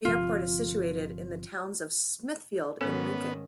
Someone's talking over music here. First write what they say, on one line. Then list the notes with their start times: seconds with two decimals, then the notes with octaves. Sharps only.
The airport is situated in the towns of Smithfield and Lincoln.
0.05 G1 C3 F3 F4
2.81 G#2 D#3 B3 C#4 A4 B4 C#5